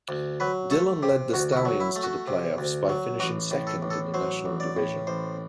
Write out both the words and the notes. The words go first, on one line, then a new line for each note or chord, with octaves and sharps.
Dhillon led the Stallions to the playoffs by finishing second in the National Division.
D2
F#3 B4
A3 A4
C3 G4
D2 F#4
F#4
E4
F#3
E4
A3
F#4
C3
D2
F#3
A1 F#4
A2
A4
A1
A4
F#3 C5
A1
D5
A2
A1 C5